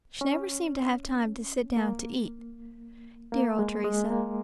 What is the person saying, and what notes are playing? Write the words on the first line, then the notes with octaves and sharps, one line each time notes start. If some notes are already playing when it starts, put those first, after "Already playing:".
She never seemed to have time to sit down to eat Dear old Teresa!
C#4
A#3
A#3
G#3
G#3
A#3